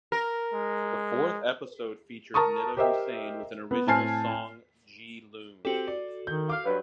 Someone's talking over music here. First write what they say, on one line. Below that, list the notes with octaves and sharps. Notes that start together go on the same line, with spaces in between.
The fourth episode featured Nida Hussain with an original song Jee Loon.
A#4
G#3
A#4 A5 A#5 C#6 D#6
G4 A#4 C5 D#5 E5 G5
B3
A2 C4 G#5 A5 F6 C7
C4 F#4 G4 A4
D5
D#3 G6
F5 D6
G2 F#3 B4